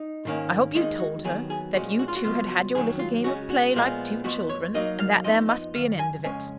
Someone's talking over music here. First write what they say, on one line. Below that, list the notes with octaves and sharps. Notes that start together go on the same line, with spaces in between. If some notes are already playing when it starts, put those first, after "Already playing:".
"I hope you told her that you two had had your little game of play, like two children, and that there must be an end of it."
Already playing: D#4
G#2 D#3 A#3 C#4
D#2 D#3 G#3 D#4 F4
F#4
D#2 D#3 F#3 B3 G#4
G#4
A#2 F3 G#3 C#4 F#4
F#4
F4
F#4
C#2 B2 F#3 B3 F4
F#4
F#2 D#3 F#3 G#4
F4
C#3 G#3 C#4 F#4
F#4
A#2 F3 G#3 B3
F2 F3 B3 F#4
C#5
B2 F#3 A#3 D#4 D#5
F5
F2 F3 B3 D#4 D#5
D#5
F#2 D#3 F5
G#5
F2 C#3 G#3 C#4 G#5